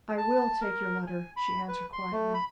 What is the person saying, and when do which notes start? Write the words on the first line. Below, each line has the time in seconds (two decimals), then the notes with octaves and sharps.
"I will take your letter," she answered, quietly.
0.18 A5
0.61 A#4
1.07 G#5
1.37 B5
1.68 B4
1.93 C6
2.12 A3
2.34 B5